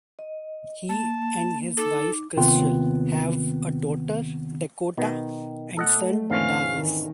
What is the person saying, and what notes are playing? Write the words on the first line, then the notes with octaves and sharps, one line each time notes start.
He and his wife Crystal have a daughter, Dakota, and son, Darvis.
D#5
A#3 A5
D#4 A4 D6
D#2 C3 B3 F4 G5 C6
B2 D#3 B3
A3 A4 D#5 F#5
E2 G#2 D3 E3 C4 C#4 F5
D#3